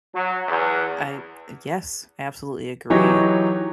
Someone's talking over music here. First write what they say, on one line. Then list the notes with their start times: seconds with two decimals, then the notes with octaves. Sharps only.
I, uh, yes. Absolutely, I agree,
0.13 F#3
0.48 E2
2.90 E3 F#3 D#4 G4 C#5